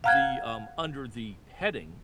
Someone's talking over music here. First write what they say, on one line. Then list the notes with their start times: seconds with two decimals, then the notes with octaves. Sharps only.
the um, under the heading
0.04 F5 F#5 A#5 F6 F#6 G#6